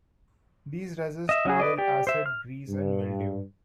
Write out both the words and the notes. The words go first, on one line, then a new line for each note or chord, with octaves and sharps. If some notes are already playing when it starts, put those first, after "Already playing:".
These resist oil, acid, grease and mildew.
D#5 E5
F#3 C#4 F#4 G#4
B4 D5 D#5
G4 D5
C5 E5
F6
G2